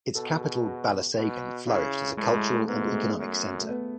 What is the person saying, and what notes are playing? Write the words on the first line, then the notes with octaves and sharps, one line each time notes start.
Its capital, Balasagun flourished as a cultural and economic centre.
B2 A4
G#4
F#4
B2
C#3 E4
A2 G#3
G#3
A3
G#2 B3
A3
G#3
A3
F#2
A3
B3